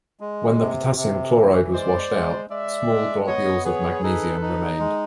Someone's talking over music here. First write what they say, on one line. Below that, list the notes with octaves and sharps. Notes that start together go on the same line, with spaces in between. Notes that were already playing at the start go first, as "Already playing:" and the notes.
When the potassium chloride was washed out, small globules of magnesium remained.
G#3
C3
C3
E3
G#3 C5 D5
G#3
G#3 D5 E5
G#3
B3 C#5 D#5
G#4 B4 C#5
D#4 A4 B4
D#4
G#3